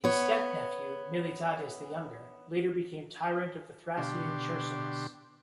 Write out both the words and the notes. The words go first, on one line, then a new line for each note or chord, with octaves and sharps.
His step-nephew, Miltiades the Younger, later became tyrant of the Thracian Chersonese.
B3 C#5
B2 D3 D4 G4 C6